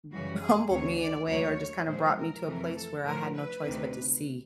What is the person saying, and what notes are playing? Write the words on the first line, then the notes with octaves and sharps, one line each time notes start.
m humbled me in a way or just kinda brought me to a place where I had no choice but to see
F#2 C#3 E3 G3 F#4
G#4
D2 C3 E3 C#5
D5
D#2 D3 F#3 A3 C#5
A#2 F3 G#3 C5
A#4
F2 C3 E3 A3
A4
A2 F3 A3 A#4
B4
D2 C3 D#3